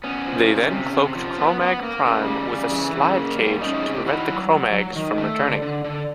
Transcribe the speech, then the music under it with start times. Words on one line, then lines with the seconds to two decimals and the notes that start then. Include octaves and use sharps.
They then cloaked Kromagg Prime with a Slidecage to prevent the Kromaggs from returning.
0.04 B3 C#4
0.26 F3
0.48 C3
0.71 C3
0.93 C3
1.15 F3
1.38 B3
1.61 B3
1.83 A#3
2.05 C#3
2.26 G3
2.50 C#3
2.72 E3
2.94 C#3
3.17 A#3
3.39 G3
3.61 A3 C#4 D#4
3.82 C3 G#4
3.94 G4
4.05 D#3 E4 F#4
4.29 F#3
4.50 F#3
4.72 F#3
4.96 D#3
5.18 A3
5.40 D3
5.62 D3
5.84 D3